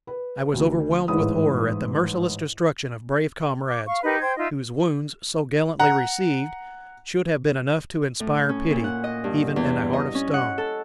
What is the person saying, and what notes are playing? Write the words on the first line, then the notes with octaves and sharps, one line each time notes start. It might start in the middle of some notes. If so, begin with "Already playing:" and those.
I was overwhelmed with horror at the merciless destruction of brave comrades, whose wounds, so gallantly received, should have been enough to inspire pity even in a heart of stone.
B4
D2
A1 G#2 E4 B4 D#6
D6
F5 C#6
D#4 G4 A#4 B4
C5 G5 G#6
D#4 F4 D#5 E5
F#5 A#5
A2
C#4
A#2
F#5
D#5
G2
E2
D#5
C#4
F#5
A4